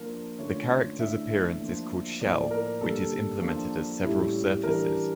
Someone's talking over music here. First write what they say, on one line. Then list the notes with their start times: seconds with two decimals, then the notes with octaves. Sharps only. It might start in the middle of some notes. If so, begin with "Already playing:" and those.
The character's appearance is called "shell", which is implemented as several "surfaces".
Already playing: F3 A#3 D4 F4 A#4
0.38 D3 A3 C#4 F4 C#5
0.99 D3 A3 E4 E5
1.29 E5
1.60 F3 A#3 D4
2.20 A2 F3 A#3 D5
2.51 A#4
2.81 D3 G3 A#3 A4
3.42 F3 A#3 D4
4.02 A2 G3 C#4 E4
4.63 E3 G3 D4 A#4